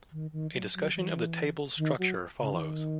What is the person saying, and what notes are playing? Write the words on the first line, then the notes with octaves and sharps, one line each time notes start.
A discussion of the table's structure follows.
D#3
D#3
F#3
F#3
E3
D#3
F#3
C#3
E3
D#3